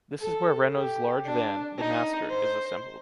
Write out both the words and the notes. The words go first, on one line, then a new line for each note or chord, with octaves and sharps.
This is where Renault’s large van, the Master, is assembled.
A4
G4
D4
D#4
C5